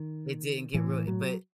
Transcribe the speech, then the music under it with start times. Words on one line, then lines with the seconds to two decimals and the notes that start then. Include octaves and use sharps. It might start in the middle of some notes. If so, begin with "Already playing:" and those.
It didn't get real but
Already playing: D#3
0.74 A2 E3
1.07 F#3